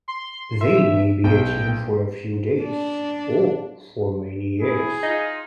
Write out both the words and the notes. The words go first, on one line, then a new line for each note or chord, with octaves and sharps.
They may be a team for a few days, or for many years.
C6
E5
B1 G5
D4
E4 G#4
D#4 F4 D#5